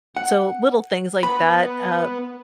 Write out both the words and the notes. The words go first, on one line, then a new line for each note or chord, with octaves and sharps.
so, little things like that, uh,
F#5
B3 B5